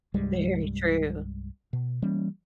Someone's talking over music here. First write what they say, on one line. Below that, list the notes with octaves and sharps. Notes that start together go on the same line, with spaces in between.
Very true.
C2 G2 G3 G#3
B2
E3 G3 A#3 C#4